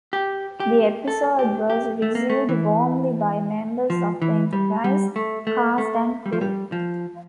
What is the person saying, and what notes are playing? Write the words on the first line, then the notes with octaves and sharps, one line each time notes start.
The episode was received warmly by members of the "Enterprise" cast and crew.
G4
G4
A4
G4
G4
A3
A#3
A3
E3
F3
E3
G3
G3
A3
A3
A3
G3
F3
G3
F3